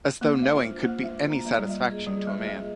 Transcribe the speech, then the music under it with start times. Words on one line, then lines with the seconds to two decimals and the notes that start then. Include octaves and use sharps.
As though knowing could be any satisfaction to a man!
0.21 A#3 D4
0.37 C5
0.42 G#3
0.53 F4
0.63 G#3
0.68 C5
0.83 A#3 F4
0.99 G#3 F4
1.14 D4
1.30 A#3
1.45 G#3 D#5
1.58 G3 F4
1.69 G#3
1.76 D#5
1.91 G#4
2.07 G3 D#5
2.22 D#5
2.27 G#3
2.38 F4
2.47 G#3
2.53 G#4